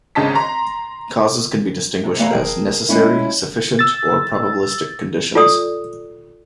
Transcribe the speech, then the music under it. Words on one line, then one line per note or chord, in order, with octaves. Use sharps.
Causes can be distinguished as necessary, sufficient or probabilistic conditions.
G#1 C#3 D#5 A5 B6
A#5 C6
C3
E2 A3 F5 F#5 G#5 A#5
G#4 A#4 C5 E5 G5 A5
G#3 A3 C#4 E4
E6 A6
F4 A4 D5 D#6